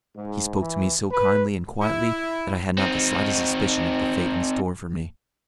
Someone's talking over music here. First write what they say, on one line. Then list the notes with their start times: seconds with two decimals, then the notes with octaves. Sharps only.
He spoke to me so kindly and quietly that I had not the slightest suspicion of the fate in store for me.
0.16 G#2
0.60 E3
1.11 B4
1.81 E4
2.78 C4 D#4